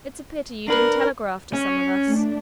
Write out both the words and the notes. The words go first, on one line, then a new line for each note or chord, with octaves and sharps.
"It's a pity you didn't telegraph to some of us."
D4 A#4 B4
C#4
A3 D4